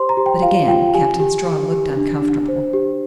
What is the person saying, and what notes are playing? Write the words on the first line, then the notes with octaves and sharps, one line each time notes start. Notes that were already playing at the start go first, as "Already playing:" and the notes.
But again Captain Strawn looked uncomfortable.
Already playing: G4 C5 C6
A#5
G4
G5
F4 F5
F4 G5
G4 G#5
G4
G4
G4
D4
D4
C5
G4